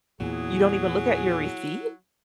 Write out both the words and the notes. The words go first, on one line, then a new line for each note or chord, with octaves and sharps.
you don't even look at your receipts?
E2 A#2 F#3 E4 G#4